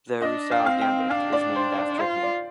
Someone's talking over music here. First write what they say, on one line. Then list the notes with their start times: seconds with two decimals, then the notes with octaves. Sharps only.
The Rousseau Gambit is named after him.
0.21 D4 D#5
0.52 F5
0.59 G5
0.66 C4 F5
0.81 G5
1.11 D4 F5
1.32 D5
1.55 C5
1.78 D5
1.99 F4 C5
2.23 D5